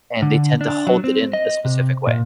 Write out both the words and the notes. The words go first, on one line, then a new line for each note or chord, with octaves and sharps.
and they tend to hold it in a specific way.
D3
D4
F#3
C4
D#5
C3
A#2